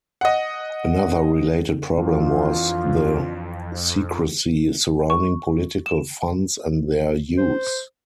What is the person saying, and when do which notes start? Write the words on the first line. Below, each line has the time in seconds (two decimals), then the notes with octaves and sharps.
Another related problem was the secrecy surrounding political funds and their use.
0.21 D#5 F#5
1.98 F2 E3 D4 F4
5.10 C#6
5.86 E7
7.37 C5